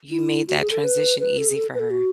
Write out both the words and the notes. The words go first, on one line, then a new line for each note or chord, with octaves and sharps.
you made that transition easy for her,
E4
F#4
G#4
A4
B4
B4
A4
G#4
A4
B4
A4
F#4